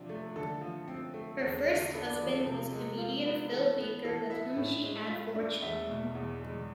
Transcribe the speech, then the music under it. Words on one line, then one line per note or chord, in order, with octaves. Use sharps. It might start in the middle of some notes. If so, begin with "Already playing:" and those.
Her first husband was comedian Phil Baker with whom she had four children.
Already playing: C3 F3 D4
A3
D3 A4
F3
C4
A3
E2
D3
B3 A4
D5
F3
A4
C3
G#3
F4
B3
E3 A4
B3
E3 A4
E4 E5
A2
G#3
F4
D4
E2 E5
B2
E2
G#3